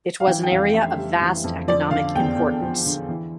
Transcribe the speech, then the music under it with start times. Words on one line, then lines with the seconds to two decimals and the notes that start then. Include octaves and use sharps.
It was an area of vast economic importance.
0.20 F5
0.27 E3 G5
0.43 G5
0.51 F2 F5
0.74 F1 E5
0.97 G3
1.21 E3
1.44 F2
1.68 F3 D5
1.91 D3 F5
2.15 E2 G5
2.38 E2
2.62 F3
2.86 D3
3.09 E3